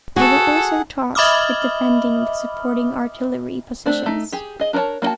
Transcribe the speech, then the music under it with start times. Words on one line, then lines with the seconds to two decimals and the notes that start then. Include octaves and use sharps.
They were also tasked with defending the supporting artillery positions.
0.16 F#4 G#4 A4 F#5
1.15 D#5 E5 B5 D6 D#6 F6
3.86 A3 C4 D4 C5
4.06 A3 D#4
4.32 G4 G#4
4.60 G#4 D#5
4.73 D4 A#4 C5 C#5 A5
5.02 A#3 D4 F#4 G5 A5